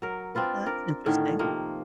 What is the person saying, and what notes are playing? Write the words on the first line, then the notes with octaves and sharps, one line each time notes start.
Well, that's interesting.
F#3 A#4
C4 D4 F4 B4
A#4 D5
A2 D3 D#3 C#4
C3 D#3 F3 A#3